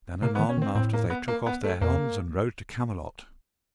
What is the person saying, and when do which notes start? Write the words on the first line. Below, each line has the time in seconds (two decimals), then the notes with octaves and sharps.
And then anon after they took off their helms and rode to Camelot.
0.22 C3 A#3
0.35 B3
0.39 D#3
0.49 C#4
0.58 D#3
0.62 C4
0.75 A2 C4
0.93 A#3
1.10 B3
1.28 A#3
1.46 B3
1.64 A3
1.81 F2 A#3